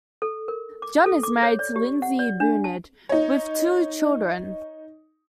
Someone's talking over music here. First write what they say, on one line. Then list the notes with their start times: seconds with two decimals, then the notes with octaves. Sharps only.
John is married to Lindsay Benaud with two children.
0.22 A4
0.48 A#4
0.82 D6
1.06 A4
1.23 D6
1.43 C#5
1.59 D5
1.76 G4
2.02 F#5
2.19 D5
2.40 D4
2.64 A5
3.09 D#4 C#5